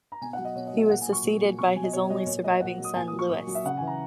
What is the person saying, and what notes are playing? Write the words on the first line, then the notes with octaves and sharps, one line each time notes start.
He was succeeded by his only surviving son Louis.
A#5
B2 G#5
F#5
F#3
D#5
B2 C#5
D#5
F#3 E5
A#2 F#5
G#5
F#3 C#6
A#2
F#3
B2 C#6
F#3 G#5
D#5
B2 C#5
F#3 D#5
A#2 C#5
F#3 D#5
A#2 F#5
F#3
D#6
A#2 G#5
D#6
F#3
C#6
A#2
F#3
E5
C#3 F#5
E3 G#5
A#5